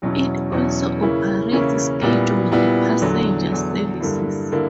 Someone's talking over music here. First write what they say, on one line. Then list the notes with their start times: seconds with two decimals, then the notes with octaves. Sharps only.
It also operates scheduled passenger services.
0.02 E2 B2 F#3 C#4 E4
0.52 E2 B2 F#3 C#4 E4
1.01 C#3 E3 A#3 C#4 E4
1.52 C#3 E3 A#3 C#4 E4
2.01 A#2 G3 B3 E4
2.52 A#2 G3 B3 E4
3.01 E2 D3 F#3
3.51 E2 D3 F#3
4.00 G2 D3 A#3 E4
4.52 D3 A#3 E4